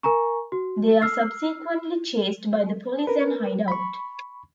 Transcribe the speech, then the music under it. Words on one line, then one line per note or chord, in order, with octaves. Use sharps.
They are subsequently chased by the police and hide out.
A#4 G#5 A#5 C#6
F#4
E6 F6 C7
A#4 B4
B5 C#6